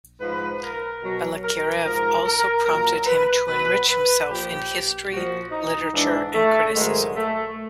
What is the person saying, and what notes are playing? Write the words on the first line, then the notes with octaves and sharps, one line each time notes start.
Balakirev also prompted him to enrich himself in history, literature and criticism.
G#2 F3 B4
A#4
B2 F#3
A#4
G#2 F3 A#4
A#4
A#2 F#3 A#4
B4
B2 F#3 B4
B4
A#2 F3 G4
A#2 F3 F#4
D#4
G#2 E3 D4
A3
G#2 D#3 F#3 G#3
A3